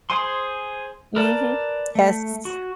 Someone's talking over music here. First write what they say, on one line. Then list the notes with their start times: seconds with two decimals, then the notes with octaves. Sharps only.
Mhm. Yes.
0.10 G#4 C5 G#5 C6
1.16 A#4 B4 D5 A5
1.95 A3
2.45 F#4